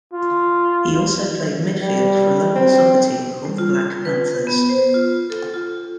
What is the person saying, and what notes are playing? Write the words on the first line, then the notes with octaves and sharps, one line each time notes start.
He also played midfield for a local soccer team called the Black Panthers.
F4
G3
C4
G3
F4
B4
B3
C5
F4
A4
F4